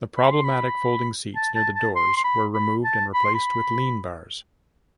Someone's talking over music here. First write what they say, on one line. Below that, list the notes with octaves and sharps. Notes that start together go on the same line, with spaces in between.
The problematic folding seats near the doors were removed and replaced with lean bars.
B5
C6
B5
A5
A5
A5
C6
C6
B5
B5
A5
B5
C6
B5